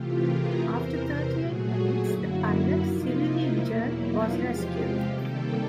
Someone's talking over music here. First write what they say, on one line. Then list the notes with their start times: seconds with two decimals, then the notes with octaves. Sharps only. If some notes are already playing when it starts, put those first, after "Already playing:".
After thirty eight minutes, the pilot, severely injured, was rescued.
Already playing: C3 E3 A3 F4 G4
0.21 G#4 A#4
0.59 E2 C3 E3 A#4 C5
1.33 A#2 F#3 A3 F#4 G#4
2.08 F#2 D3 F#3 A#3 E4 F#4
2.83 C3 F3 A#3 D#4 F4
3.20 E4
3.58 E2 B2 F#3 A#3 E4
3.95 D#4 F4
4.32 E2 C3 F3 G#3 F4 G4
5.07 C3 D#3 G3 A#3 G4 A4